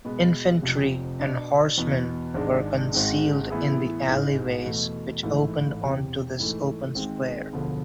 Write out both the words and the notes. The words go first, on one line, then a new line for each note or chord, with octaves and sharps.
Infantry and horsemen were concealed in the alleyways which opened onto this open square.
B2 G#3 B3
F1 F2 C3
B2 B3 D4
E2 B2 B3
G#1 G#2 G#3 D4
G#1 G#2 G#3 C4
A2 E3 B3 E4 G#4
A1 G#2 E3 G#3
E2 B2 A3
A1 G#2 E3 A3 E4
E1 E2 C3
G#2 E3 A3
G#1 G#2 G#3 C4
E1 D2 D3 F3 B3